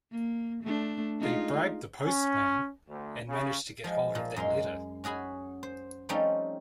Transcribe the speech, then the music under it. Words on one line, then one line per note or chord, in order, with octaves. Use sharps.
They bribe the postman and manage to get hold of that letter.
A#3
A3 D4
G#3 D#4 F4
C#4
D2
C#3
F3 G#3
A#2 F3
F#2 G#3 F5 C6
C#4 F#4 G#4 G#5 B5
C5
F3 G3 A3 C4 C#4 D#4